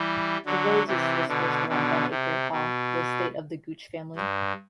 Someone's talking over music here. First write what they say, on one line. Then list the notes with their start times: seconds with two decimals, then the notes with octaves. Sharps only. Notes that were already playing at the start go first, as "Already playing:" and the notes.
The village is dispersed around Benacre Hall, the estate of the Gooch family.
Already playing: E3 G3
0.46 D3 F#3
0.87 C3 E3
1.28 B2 D3
1.69 B2 D3
2.10 C3
2.52 B2
4.16 G2